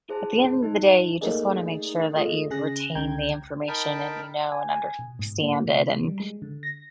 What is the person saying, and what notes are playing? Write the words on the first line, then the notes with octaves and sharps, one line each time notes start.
at the end of the day, you just wanna make sure that you've retained the information and you know and understand it and
E4 G#4 C5 A5
D#4 C5
A3 A#3 D#4 G#4 D5
G#3 A3 F4 D#5
C#3 G#4 F#6 A#6
C#2 C#3 G5 A#5 G6 G#6
D#4 A#4 G5 A5 B5
G#5
G#5
B2
G#2
A#3
C3
G3
G#3
D3
A#6